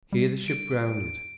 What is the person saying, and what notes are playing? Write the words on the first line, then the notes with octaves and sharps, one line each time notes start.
Here the ship grounded.
G3
D7